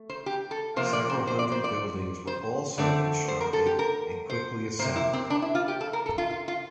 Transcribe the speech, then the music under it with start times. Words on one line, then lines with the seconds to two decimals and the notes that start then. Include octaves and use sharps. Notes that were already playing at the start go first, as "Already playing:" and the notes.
Several hundred buildings were also constructed and quickly assembled.
Already playing: A3
0.10 C5
0.26 G4
0.51 A4
0.76 C3 F3 A#3 C5
0.93 D5
1.10 C5
1.27 C5
1.39 D5
1.52 C5
1.64 D5
2.27 C5
2.78 D3 A3 C4 D5
3.28 C5
3.41 A#4
3.53 A4
3.66 G4
3.79 A#4
4.30 C5
4.79 C3 E3 A#3 C5
4.96 E4
5.13 C4
5.30 D4
5.42 E4
5.55 F4
5.68 G4
5.81 A4
5.93 A#4
6.06 A4
6.18 F4
6.30 F4
6.48 F4